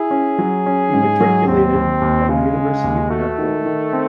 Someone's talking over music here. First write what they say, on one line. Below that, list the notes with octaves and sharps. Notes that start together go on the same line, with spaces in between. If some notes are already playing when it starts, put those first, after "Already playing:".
He matriculated at the University of Akron.
Already playing: E4 G#4
C#4
F#3
C#4
G#2
F#3
D#2 C4
D#2
D#2
C#3 G#3
C#3
D#2
A3 F#4
D#3
D#3
C4